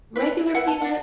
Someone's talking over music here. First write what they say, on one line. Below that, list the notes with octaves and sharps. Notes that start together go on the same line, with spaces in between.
Regular peanuts
E4 B4
E4 B4 F#5
A5
F#5